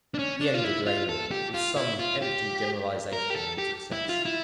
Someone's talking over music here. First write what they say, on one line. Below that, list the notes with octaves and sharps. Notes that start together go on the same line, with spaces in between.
He ended lamely, with some empty generalisation on success.
D4
C#4
D4
F4
E4
F4
A4
G4
F4
E4
F4
G4
A#4
G4
A4
G4
E4
F4
E4